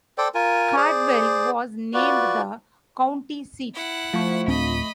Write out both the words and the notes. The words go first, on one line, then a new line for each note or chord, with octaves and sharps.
Caldwell was named the county seat.
A4 C5 D5 G5
F4 A#4 G#5
G#4 C5 D5
F4 F#4 B4 D5
E4 F#5
F3 A3 C#6
D1 C4 D4 D#5 B5